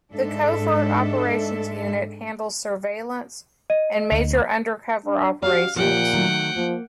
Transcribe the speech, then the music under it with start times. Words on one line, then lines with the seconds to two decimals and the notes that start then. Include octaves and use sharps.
The Covert Operations Unit handles surveillance and major undercover operations.
0.13 G#2 G#3 D4 A4 E5
3.70 D#5 D#7
4.12 D2
5.05 D4
5.42 C#4 F#4 G4 D5 F5
5.76 A#2 F3 F4 G4 F#5 G5
6.13 D#3 F#3 A3
6.56 F3 A#3